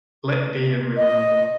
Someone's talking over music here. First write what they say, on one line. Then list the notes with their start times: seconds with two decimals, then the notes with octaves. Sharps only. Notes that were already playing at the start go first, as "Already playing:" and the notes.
Let be a real number.
0.97 D#5